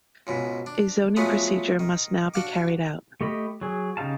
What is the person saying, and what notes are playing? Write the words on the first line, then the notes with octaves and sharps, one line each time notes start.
A zoning procedure must now be carried out.
C#2 G#2 B2
D4
F3 F#3 G#3 A3 B3 G#4
D#3
D4 F#4 F5 D6
A3 G4 D#5 B5
F#3 G#4
C#3 D#4 G4 F5 A5